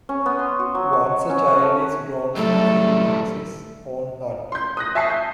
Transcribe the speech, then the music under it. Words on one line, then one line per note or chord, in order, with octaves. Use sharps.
Once a child is grown enough, he makes his own hut.
C#4
B3
C6
F#4
F#3
C#6
F#5
C#4
F#5
A4
A2 F#3 G3 A3 A4
C6 G6
D#6 F#6 A#6
E5 G#5 A5 C#6 C7
G6